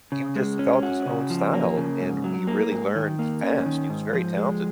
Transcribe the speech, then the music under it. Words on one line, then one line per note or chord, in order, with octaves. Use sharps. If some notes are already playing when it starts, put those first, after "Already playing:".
he would just develop his own style, and he really learned fast. He was very talented.
C#3
G#3
C#4
F#4
C#3
F3
A#3
C#3
G#2
F#3
A#3
G#2
D#3
A#3
C#4
D#3
G#2
F3
G#3